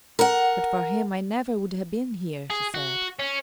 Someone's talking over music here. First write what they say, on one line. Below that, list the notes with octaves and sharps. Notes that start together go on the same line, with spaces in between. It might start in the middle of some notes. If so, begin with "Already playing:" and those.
"But for him I never would have been here," she said.
A#4 F#5
G#4
F#4
C#4